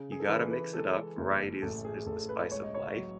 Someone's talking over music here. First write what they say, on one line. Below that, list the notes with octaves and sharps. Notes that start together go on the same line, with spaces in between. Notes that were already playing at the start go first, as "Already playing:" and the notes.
you gotta mix it up, variety is is the spice of life,
Already playing: C#3
G#4
A4
E3 B4
B4
G#3 A4
F#1
A1 A4
G#4
A1 A4
B4
C#2 C#5
D#5
C#5
F#3